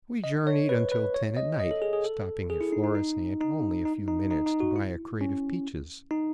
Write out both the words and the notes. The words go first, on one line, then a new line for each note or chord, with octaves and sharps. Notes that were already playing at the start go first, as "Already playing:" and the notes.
We journeyed until ten at night, stopping at Florisant only a few minutes to buy a crate of peaches.
D#5
C#5
B4
B4
C#5
D#5
D#5
A4
G#4
G#4
A4
G#4
E4
D#4
D#4
D#4
D#4
D#4
D#4
D#4
D#4
F#4
E4
C#4
D#4